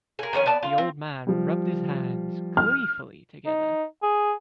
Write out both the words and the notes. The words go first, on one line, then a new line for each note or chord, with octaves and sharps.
The old man rubbed his hands gleefully together.
G#4 A#4
D#3 F3 C#4 G#4
B3 D5 A5
F4
C4
F3 G3
F6
D#4
G#4